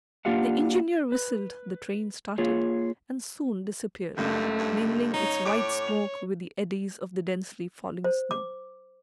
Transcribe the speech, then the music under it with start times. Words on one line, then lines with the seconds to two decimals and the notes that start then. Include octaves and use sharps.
The engineer whistled, the train started, and soon disappeared, mingling its white smoke with the eddies of the densely falling snow.
0.25 A#3 D4 F4 G4 F5 F#5
1.12 B4
2.38 A#3 F4 G#4 C#5
4.17 F#1 C#2 G2 A3
4.59 G2
5.14 D#4 C#5
5.45 A2 D6 D7
5.88 F7
8.04 C5
8.31 D6